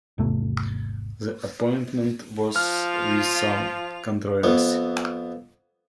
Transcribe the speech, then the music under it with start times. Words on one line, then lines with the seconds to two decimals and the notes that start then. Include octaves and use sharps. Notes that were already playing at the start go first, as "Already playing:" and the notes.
The appointment was with some controversy.
0.18 G#1 E2 C3 A3
2.56 F3 F4 F6 F7
4.44 F2 B3